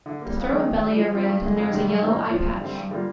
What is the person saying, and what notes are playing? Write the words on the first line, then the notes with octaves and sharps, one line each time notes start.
The throat and belly are red and there is a yellow eye patch.
D3
G3 A#3
F2
D#3 G#3 D#4
D#3
G3 D4
F3
C4 F4
G2
D3 G#3
F2
C3 D#3 G3 D4
G2
D#3 G3 A#3 D#4
A#2
F3 C4 F4
G2
D3 G3 C4
G2
D3 G3 A#3 F4